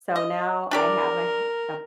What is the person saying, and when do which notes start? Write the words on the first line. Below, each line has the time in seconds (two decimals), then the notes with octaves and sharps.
So, now I have a h a
0.16 D#5
0.71 D4 G4 A#4 D5